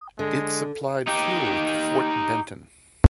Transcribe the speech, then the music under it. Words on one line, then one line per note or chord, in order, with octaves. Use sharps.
It supplied fuel to Fort Benton.
D3 G#3
D#4 G4